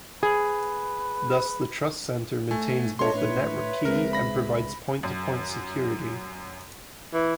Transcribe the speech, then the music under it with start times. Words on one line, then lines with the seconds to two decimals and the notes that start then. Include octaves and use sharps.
Thus, the trust center maintains both the network key and provides point-to-point security.
0.23 G#4 B4
2.51 A3 G#5
2.99 G#3 D4 A4 C#5 D#5 E5 C6
3.14 A2 D4 B4 E5
3.85 C#2 G#3 C4 A#4
4.13 B5 A#6
5.03 F#2
7.13 E3